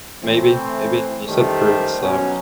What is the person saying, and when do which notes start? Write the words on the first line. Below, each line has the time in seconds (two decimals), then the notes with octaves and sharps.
maybe maybe. You said fruits, so,
0.23 E3 A3 C4
1.27 F#2 D#3 G3 A3 G4 C5
2.00 B2 F#3 C#4